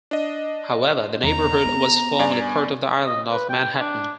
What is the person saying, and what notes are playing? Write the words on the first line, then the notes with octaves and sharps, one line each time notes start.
However, the neighborhood was formerly part of the island of Manhattan.
D4 D#5
E2 A#5
B3
G2 D5 G#5
D#5
B4
G5
D4